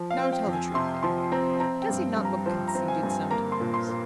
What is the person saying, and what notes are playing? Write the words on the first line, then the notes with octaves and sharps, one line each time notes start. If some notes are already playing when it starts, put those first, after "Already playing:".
"Now tell the truth, Lady Mabel; does he not look conceited sometimes?"
Already playing: F3
F5
C4
G5
F2
G#5
C3 C6
F3 C6
C4 A#5
C4 A#5
G5
G2
G2
A#5
F3 C5
A#5
C4
G#5
G2
G#5
A#3 A#5
C6
A#2
C6
A#2